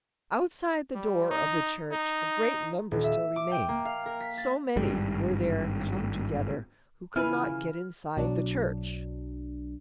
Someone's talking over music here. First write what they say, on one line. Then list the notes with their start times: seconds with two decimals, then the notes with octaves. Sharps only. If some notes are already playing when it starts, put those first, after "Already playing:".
Outside the door of the church a great number still remained, so many were there come together who could not get inside the church.
0.95 G3
1.31 D#4
1.92 D#4
2.91 D#1
3.04 E5
3.36 D6
3.51 G5
3.69 A#3
3.85 F5
4.06 A#4
4.20 B6
4.38 A6
4.76 G#1 G2 G3
7.16 C#3 E3 E4 F4 B4 G#5 F6
8.17 B1 F#3 D4